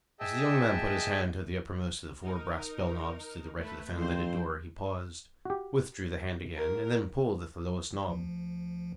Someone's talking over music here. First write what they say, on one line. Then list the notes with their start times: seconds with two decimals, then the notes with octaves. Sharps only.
As the young man put his hand to the uppermost of the four brass bell-knobs to the right of the fanlighted door he paused, withdrew the hand again, and then pulled at the lowest knob.
0.20 G#4 D#5 E5 G5 A5 E6
2.24 D#4 A#4
3.59 A3 B4
3.96 F2 C4 C5 C6
5.45 F#4 G4
6.58 A#4
8.08 D2 F3